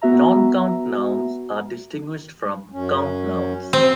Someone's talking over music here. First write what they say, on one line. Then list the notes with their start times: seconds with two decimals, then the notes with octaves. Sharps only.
Non-count nouns are distinguished from count nouns.
0.02 B3 F#4 E5 A#5
2.72 F#2 C#4
3.73 C4